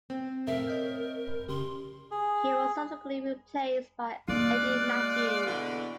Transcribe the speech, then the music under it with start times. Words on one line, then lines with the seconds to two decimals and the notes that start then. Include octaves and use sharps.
He was subsequently replaced by Eddie Mathews.
0.10 C4
0.47 F2 A2 C3 A4 A#4 E5 F5
0.67 C#5 D#5 G6
1.48 B1 C#3 G4 C6
2.11 G#4
4.28 G#3 A#3 F4 D5 F#6
5.46 E2 B2 D3